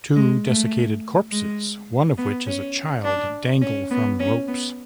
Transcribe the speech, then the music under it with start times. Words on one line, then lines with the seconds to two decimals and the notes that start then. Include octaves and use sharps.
Two desiccated corpses, one of which is a child, dangle from ropes.
0.16 G#3
0.45 A3
1.31 G#3
2.18 B3
2.46 C#4
3.04 D4
3.62 C#4
3.91 B3
4.20 C#4
4.48 B3